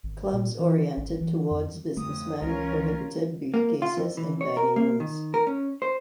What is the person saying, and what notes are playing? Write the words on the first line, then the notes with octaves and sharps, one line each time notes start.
Clubs oriented towards businessmen prohibited briefcases in dining rooms.
G#1
A#2
E3
G#1
E3
F2
F2 D3 F#3 A3 D#6
C#2 E3 G#3 C#4 F4 A#4
A#3
F4
F2
E3
C#5
A#4
A#3
D#3
A#4
C#4
C5